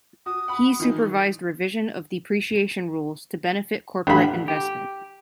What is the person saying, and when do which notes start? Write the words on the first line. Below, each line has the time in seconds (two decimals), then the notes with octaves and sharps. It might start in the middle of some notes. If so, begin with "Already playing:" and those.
He supervised revision of depreciation rules to benefit corporate investment.
0.26 F#4 D#6
0.48 F#5 B5
0.80 D#3 E3 D#4
4.07 A1 D4 F5 F#5 B5
4.48 G4